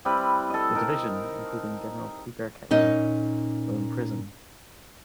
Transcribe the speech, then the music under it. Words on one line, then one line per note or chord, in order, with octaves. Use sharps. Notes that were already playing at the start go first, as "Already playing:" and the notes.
The division, including General Prugar-Ketling, were imprisoned.
G3 C4 E4 B4
A4 D#5
D#4 A#4
A#2 C#4 D#4